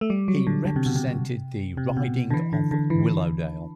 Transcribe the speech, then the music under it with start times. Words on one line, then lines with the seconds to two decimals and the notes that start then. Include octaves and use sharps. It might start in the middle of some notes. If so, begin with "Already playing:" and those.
He represented the riding of Willowdale.
0.01 A3
0.10 G3
0.28 F#3
0.47 D3
0.65 D3
0.76 C3
0.86 B2
0.96 C3
1.77 C3
1.97 B2
2.30 D3
2.34 E3
2.53 D3
2.71 D3
2.90 E3